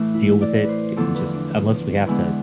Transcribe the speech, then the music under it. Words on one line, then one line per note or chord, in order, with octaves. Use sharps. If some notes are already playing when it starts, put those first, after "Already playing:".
deal with it and just unless we have to,
Already playing: A2 E3 A3
E4
D5
B4
C5
E2 D3 F3 B3 A4
B4
D4
E2 D3 G#3 B3 E4